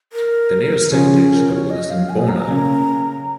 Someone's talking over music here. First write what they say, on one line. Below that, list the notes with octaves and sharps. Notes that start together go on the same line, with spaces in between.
The nearest secondary school is in Boonah.
A#4
C#3 F3 C#4 G#4
G#4
A#4
C#5
D#5
F5
G#5
A#5
C#3 A#3 C#4